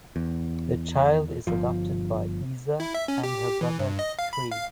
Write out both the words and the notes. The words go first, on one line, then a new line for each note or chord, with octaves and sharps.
The child is adopted by Iza and her brother Creb.
E2
G1 F3
E4
E5
C#4
G4
E3
G2
D#5
F5
B5
F5